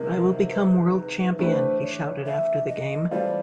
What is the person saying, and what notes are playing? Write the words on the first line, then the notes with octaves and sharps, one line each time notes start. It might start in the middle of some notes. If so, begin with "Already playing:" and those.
"I will become world champion", he shouted after the game.
Already playing: C2 C3 D#3 G#3 A#4
B4
E3 A3 D4 G4 B4 C5
C#5
E5
D#5
E3 G3 C4 F4 A4 D5